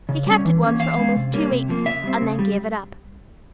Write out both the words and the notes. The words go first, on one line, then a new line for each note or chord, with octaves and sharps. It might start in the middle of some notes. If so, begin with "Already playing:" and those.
He kept it once for almost two weeks, and then gave it up.
C#3
G3 C#4
E3
A#3 C#4
E3 F5
G#3 C#4
C3
G3 A#3 C#4
C3
F3 A#3
C#3 E5
G3 C4
C#3
G3